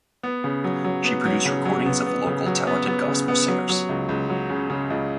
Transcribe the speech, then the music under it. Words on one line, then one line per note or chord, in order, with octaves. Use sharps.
She produced recordings of local talented gospel singers.
B3
C#3
F#3
F#3
B3
F#3
C#3
F#3
B3
B3
C#3
F#3
B3
B3
C#3
B3
F#3
F#3
C#2
C#2
F#3
C#3
C#3
C#2